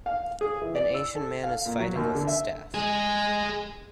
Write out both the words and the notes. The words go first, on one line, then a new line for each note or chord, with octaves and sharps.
An Asian man is fighting with a staff.
F5
G#4
E3
D5
E6
A4
F5
A#2
F#3
D#2
D3
E5
G#3 G#4